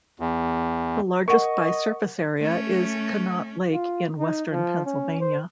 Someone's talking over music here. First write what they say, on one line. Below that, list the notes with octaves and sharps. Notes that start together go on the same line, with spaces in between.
The largest by surface area is Conneaut Lake, in western Pennsylvania.
E2
A#4 D#5 F#5 C#6
A3 C#4
F4
D#4
F3
C#4
C5